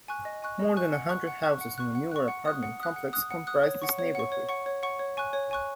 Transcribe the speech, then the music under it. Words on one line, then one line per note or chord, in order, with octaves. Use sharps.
More than a hundred houses and a newer apartment complex comprise this neighborhood.
G#5 C#6 F#6
D#5
G#5 C#6 F#6
D#5
G#5 C#6 F#6
F#5
C#6 F#6
F#5
C#6 F#6
F#5
C#6 F#6
F#5
C#6 F#6
F#5
D#6 F#6
F#5
D#6 F#6
F#5
D#6 F#6
F#5
D#6 F#6
C#5
F#5 C#6
C#5
F#5 C#6
C#5
F#5 C#6
C#5
F#5 C#6
C#5
G#5 C#6 F#6
C#5
G#5 C#6 F#6